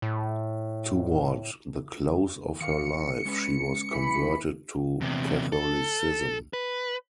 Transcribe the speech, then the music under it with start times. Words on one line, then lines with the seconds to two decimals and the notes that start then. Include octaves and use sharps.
Toward the close of her life she was converted to Catholicism.
0.02 A2
2.61 D#3 F5 C#7
3.25 G#3 C#4 B4
3.91 E3 B5
5.01 E2 C3
5.52 A4
6.53 B4